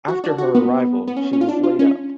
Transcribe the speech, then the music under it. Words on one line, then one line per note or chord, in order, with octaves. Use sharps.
After her arrival she was laid up.
F#4
D4
F#4
B3
B3
C#4
C#4
F4
D4
F4
C#4